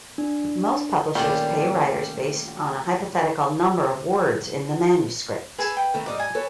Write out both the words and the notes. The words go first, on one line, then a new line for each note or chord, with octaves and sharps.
Most publishers pay writers based on a hypothetical number of words in the manuscript.
D4
A#2 D#3 G3 A3 C#4 D4
G#4 A4 B4 G#5
G5 B5
D#3 A3 C4
G#2 G3 D#5 D6
G#5
A4 B4 C#5